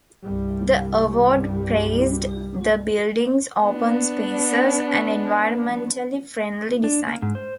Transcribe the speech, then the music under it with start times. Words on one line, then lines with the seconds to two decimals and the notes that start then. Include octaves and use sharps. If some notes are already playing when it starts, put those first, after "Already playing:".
The award praised the buildings open spaces and environmentally friendly design.
0.23 C2 G2 G3
3.63 B3 D4
6.84 D4
7.07 A#3
7.22 G#2
7.35 C5